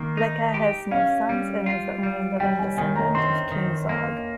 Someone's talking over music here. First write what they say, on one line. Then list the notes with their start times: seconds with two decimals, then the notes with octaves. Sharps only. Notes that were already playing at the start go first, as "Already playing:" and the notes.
Leka has no sons and is the only living descendant of King Zog.
Already playing: D#3 A#3
0.17 D#4
0.54 G4
0.91 C#4 F5
1.29 G3
1.66 F4
2.03 G3
2.40 G3 G5
2.59 G#5
2.77 D#3 G#5
2.96 A#5
3.15 C4 C6
3.51 D#3
3.89 A#3